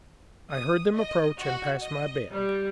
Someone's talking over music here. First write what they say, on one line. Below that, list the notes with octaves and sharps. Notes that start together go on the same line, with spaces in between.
I heard them approach and pass my bed.
D#6
D#5
F#4
D#5
G3